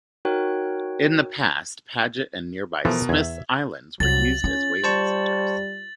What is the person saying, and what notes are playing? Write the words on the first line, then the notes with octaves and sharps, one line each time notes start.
In the past Paget and nearby Smith's Island were used as whaling centers.
D#4 F#4 A#4 C#5 G5 F#6
B2 E3 F3 A4 A#4
E2 E5 G#6
C2 F#3 A6 F#7
C#4 F4
G3 C5 A5 C#6